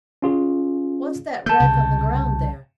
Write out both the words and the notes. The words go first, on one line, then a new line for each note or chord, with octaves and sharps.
What's that wreck on the ground there?'
C#4 F4 G#4
A3 A5 G6
C2 C#3